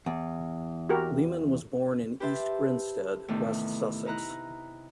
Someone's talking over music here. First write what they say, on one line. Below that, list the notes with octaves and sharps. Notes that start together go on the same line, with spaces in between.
Leman was born in East Grinstead, West Sussex.
E2
F#4 G4 A#4
G4 B4 C5 E5 A5
E2 A2 C3 D#3 A3
D#4 E4 A#5 F#6